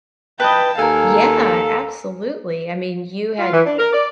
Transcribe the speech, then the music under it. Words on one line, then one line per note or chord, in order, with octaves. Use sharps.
Yeah, absolutely, I mean, you had
B4 D#5 G5 A5
D#2 A4 A#4 F5 G#5
F4
E3
D4
A#4
D5